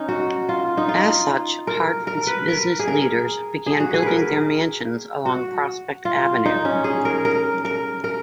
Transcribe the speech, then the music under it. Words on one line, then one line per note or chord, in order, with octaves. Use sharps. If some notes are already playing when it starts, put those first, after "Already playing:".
As such Hartford's business leaders began building their mansions along Prospect Avenue.
Already playing: C#4 D#4
F#4
F4
D#4
F4
A#4
A#4
B4
A#4
G#4
A#4
G#4
F#4
G#4
A#4 B4
F#4
F4
D#4
C#4
G#4
A#4
A#4
A#4
A#4